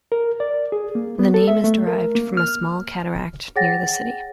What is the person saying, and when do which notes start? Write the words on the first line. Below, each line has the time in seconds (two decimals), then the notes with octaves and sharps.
The name is derived from a small cataract near the city.
0.12 A#4
0.40 D5
0.72 G#4
0.95 A#3
1.19 B3
1.34 A4
1.48 E5
1.64 A3
1.87 A#4
2.15 A#3
2.37 F6
3.56 G#4 C#5 F#5 G5 A6 A#6